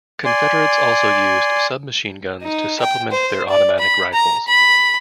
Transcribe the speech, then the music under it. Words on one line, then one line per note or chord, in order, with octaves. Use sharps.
Confederates also used submachine guns to supplement their automatic rifles.
D5 G#5 C6
D#4
G5
C5
D5
B5
A#5
B5